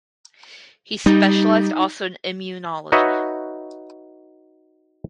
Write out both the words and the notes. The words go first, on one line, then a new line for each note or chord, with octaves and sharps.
He specialized also in Immunology.
G3 D#4
D#4 F#4 B4 C#5 D#5 E5